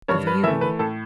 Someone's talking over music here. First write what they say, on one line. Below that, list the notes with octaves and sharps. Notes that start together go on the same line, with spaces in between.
"Of you?"
G2 C#5
B4
E3 A3 E5
B4
A2 A4